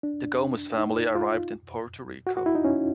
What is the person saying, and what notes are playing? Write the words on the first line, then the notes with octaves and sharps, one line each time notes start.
The Gomez family arrived in Puerto Rico.
D4
D#4
F4
F#4
F#4
E4
D#4
C#4